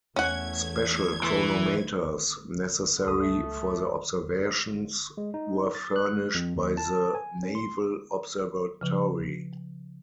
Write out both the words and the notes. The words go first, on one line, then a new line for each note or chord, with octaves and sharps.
Special chronometers necessary for the observations were furnished by the Naval Observatory.
E2 A3 C#4 F#5 G#6
E3
D3
C#2 A4 D#6
A3
G#3
D#4
A6
F#6
F2
D#2
A5
G#5
C#4
C6
C#3 F3